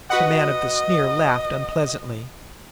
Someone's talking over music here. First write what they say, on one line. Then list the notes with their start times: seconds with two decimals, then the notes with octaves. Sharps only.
The man of the sneer laughed unpleasantly.
0.10 F#4 B4 D#5 F#5